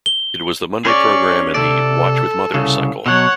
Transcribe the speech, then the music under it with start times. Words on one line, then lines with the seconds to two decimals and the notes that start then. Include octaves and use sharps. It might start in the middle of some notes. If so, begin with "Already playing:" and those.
It was the Monday programme in the "Watch with Mother" cycle.
0.06 G7
0.85 C#4 G#4 D5 C#6
1.54 C3 A4 D5
2.54 C2 C#3
3.06 B2 F#3 C#5 F#5